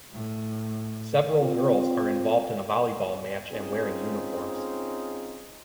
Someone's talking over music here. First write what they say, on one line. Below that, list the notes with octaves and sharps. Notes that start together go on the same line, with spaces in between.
Several girls are involved in a volleyball match and wearing uniforms.
A2
C4 F4
C4 C#4 D#4 F4 G#4